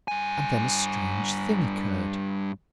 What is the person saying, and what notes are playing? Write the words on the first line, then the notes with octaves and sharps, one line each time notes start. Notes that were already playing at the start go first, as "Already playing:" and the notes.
And then a strange thing occurred.
G2 G#5